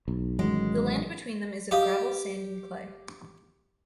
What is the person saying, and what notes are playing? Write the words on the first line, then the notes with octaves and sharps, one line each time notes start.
The land between them is of gravel, sand and clay.
B1
A1 D#3 F#3 G#3
G4 D#5 F5 D#6